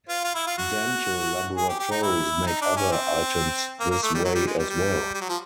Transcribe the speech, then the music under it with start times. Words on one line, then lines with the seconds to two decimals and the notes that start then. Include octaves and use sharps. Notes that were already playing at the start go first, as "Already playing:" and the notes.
Dental laboratories make other items this way as well.
0.09 F4
0.24 F4
0.35 E4
0.47 F4
0.58 F#4
1.57 G#4
1.69 G4
1.79 G4
1.91 D#4
2.03 E4
2.47 D#4
2.61 D4
2.77 C#4
2.92 C4
3.80 A#3
3.91 A#3
4.03 A3
4.14 G3
4.25 F#3
4.35 G3
4.47 G#3
4.59 G3
4.69 G3
5.14 G3
5.21 F#3
5.29 F3